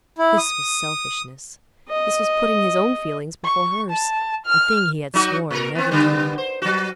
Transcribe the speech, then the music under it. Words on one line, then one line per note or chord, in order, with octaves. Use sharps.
This was selfishness; this was putting his own feelings before hers--a thing he had sworn never to do.
E4
D#6
D#5
C#6
A5
F6
F#3 D#4 F#4
A#2 A#4
B3 C4
D3 G3 B3
C5
F#3 F#4